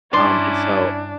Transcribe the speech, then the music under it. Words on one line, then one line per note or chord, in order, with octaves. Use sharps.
um, and so
G2 C#3 C#4 D4 E4 D5 C6